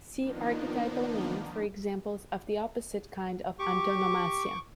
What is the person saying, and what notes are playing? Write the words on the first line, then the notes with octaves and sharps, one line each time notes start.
See "archetypal name" for examples of the opposite kind of antonomasia.
D#3 F3 A#3 B3 D4 D#4
G4 C#6 D6